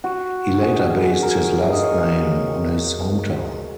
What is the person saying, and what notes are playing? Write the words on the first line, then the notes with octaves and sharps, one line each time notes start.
He later based his last name on his hometown.
F#4
G#4
A#4
F5
D#5
C#5